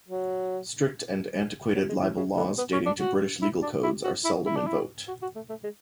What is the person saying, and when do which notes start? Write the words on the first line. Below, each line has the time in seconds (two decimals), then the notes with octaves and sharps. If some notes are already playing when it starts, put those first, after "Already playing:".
Strict and antiquated libel laws dating to British legal codes are seldom invoked.
0.08 F#3
1.75 F#3
1.89 G#3
2.02 E3
2.16 C#3
2.37 D3
2.58 B3
2.72 C#4
2.86 D4
3.00 F#4
3.42 E4
3.62 D4
3.83 E4
4.04 F#4
4.24 E4
4.45 E4
4.56 D4
4.67 E4
5.08 F#4
5.22 F#4
5.36 A3
5.50 A3
5.64 G#3